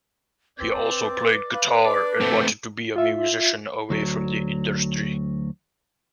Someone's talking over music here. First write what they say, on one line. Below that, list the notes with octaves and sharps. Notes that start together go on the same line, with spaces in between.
He also played guitar and wanted to be a musician away from the industry.
C4 B4 D5
B4 F5
D4 B4 D5
A3 C4 A4
F4 E5
D2 F#3